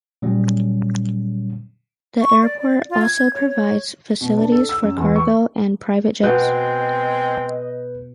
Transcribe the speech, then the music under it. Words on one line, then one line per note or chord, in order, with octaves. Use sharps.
The airport also provides facilities for cargo and private jets.
A#2 F#3 G3 C#4
C#6
D5
D5
F4
G#6
C#5
C#5
B2
D4
A4
E6
F#2
E2
C#6
B2 G#3 C4 B4 D#5 G5 F#6 G6